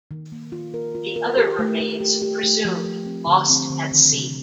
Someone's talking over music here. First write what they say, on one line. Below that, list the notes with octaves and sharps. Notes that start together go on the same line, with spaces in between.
The other remains presumed "lost at sea".
D#3
A#3
F4
A#4
F4
A#4
G4
A3
A3
G4
G4
A3
F3
A3
C4
D3
C4
D3
D#3
C3